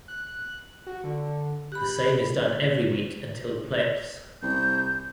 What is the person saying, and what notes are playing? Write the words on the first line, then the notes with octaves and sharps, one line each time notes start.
The same is done every week until the playoffs.
F#6
F#4
D3
G4 B5 F#6
C2 G6